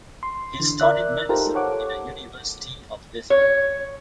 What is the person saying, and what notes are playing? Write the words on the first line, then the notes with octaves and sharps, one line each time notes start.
He studied Medicine in the University of Lisbon.
C6
D3 E3
A#4 D5 E5 F#6
D#4 F4 G4 A4 A#4 C5
A4 C#5 F#5 D6
C#5